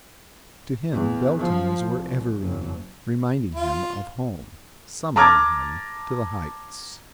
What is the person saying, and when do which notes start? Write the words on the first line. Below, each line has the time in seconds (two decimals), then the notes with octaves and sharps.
To him bell tones were ever ringing, reminding him of home, summoning him to the heights.
0.92 E2
1.39 F3
1.87 C2
2.39 F#1
3.55 F4
5.16 A5 A#5 D6 F6 G#6 A6